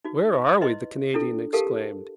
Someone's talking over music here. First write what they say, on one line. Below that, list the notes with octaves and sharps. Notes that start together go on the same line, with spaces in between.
"Where are we?" the Canadian exclaimed.
D#4 F#4
E4 B4 D#5 C6
D4 E4 F4 A4
G4 A4 A#4 F5 A5